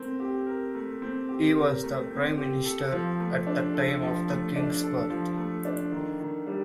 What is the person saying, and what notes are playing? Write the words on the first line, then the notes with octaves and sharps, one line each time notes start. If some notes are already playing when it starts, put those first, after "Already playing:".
He was Prime Minister at the time of the King's birth.
Already playing: A3 C4 A#4
G4
A#4
A3
C4
G4
A#4
A3
C4
G4
A4
F3
A3
D4
A4
F3
A3
D4
A4
F3
A3
D4
D#3
D#3
G3